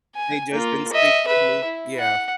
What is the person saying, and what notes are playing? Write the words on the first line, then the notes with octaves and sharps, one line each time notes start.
They just instinctively yeah,
G#5
A#3 F4
D#5 E5
B4 E5
E4
F#5